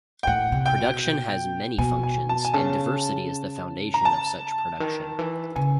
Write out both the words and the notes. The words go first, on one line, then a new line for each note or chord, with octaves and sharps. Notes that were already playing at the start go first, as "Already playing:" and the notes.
Production has many functions, and diversity is the foundation of such production.
G5
A2 F#5
C3
G5
B2
B2 G#5
G#5
A5
G#5
C#3 A5
A#5
A5
D#3
E3
C#3 G#5